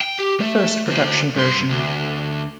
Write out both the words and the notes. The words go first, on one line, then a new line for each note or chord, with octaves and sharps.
The first production version.
G5
G4
A3
D3 C5
G2 C6
D2